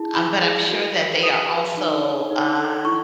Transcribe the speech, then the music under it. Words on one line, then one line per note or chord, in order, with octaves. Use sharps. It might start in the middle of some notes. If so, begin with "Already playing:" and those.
Um, but I'm sure that they are also, uh,
Already playing: E4 G#4 A5
E4 B5
G#4
F#4
F#4
B4 D#6
B4
D#4
C#5
D#4
A4
E4 C#6